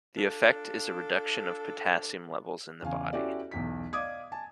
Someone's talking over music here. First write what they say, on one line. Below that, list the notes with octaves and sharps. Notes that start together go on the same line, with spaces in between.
The effect is a reduction of potassium levels in the body.
D4 F4 A4
E2 C#3 F5 G#5
C#4 E4 F#4 G4 A4 D5
B1 E2 B6
D5 D#5 F5 D6 D#6 G#6
G#5 A5